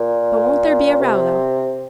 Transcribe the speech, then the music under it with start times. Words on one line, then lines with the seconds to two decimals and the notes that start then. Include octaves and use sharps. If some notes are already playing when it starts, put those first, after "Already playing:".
But won't there be a row though?
Already playing: A#2
1.00 C3